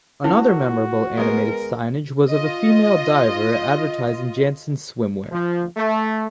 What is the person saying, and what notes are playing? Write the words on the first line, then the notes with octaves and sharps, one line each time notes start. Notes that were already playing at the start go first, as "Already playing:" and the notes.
Another memorable animated signage was of a female diver advertising Jantzen swimwear.
C#4 E4 F#4 A#4
G#3 B3 A#4
F4 D#5
F3
A3